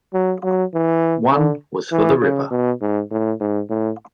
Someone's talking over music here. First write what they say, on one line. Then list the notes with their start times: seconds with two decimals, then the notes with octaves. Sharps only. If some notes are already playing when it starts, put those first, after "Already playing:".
One was for the river.
0.14 F#3
0.44 F#3
0.74 E3
1.32 D3
1.92 E3
2.22 C#3
2.51 B2
2.81 G#2
3.11 A2
3.40 G#2
3.70 A2